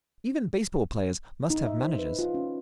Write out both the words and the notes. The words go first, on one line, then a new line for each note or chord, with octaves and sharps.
Even baseball players must have managers.
D#4
E5
C5
B4
F4
C#4